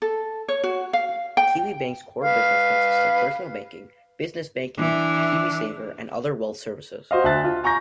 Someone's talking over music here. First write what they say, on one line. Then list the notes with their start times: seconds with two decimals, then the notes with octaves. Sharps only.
Kiwibank's core business consists of personal banking, business banking, KiwiSaver and other wealth services.
0.02 A4
0.48 C#5
0.64 F#4
0.93 F5
1.37 G5
2.22 B4 F5
4.78 E3 D4
7.11 F#4 C5 D#5 F5
7.24 D2 E5 A5 F#6 A6
7.44 F4
7.63 G#5 A#5 C#6 G6 A#6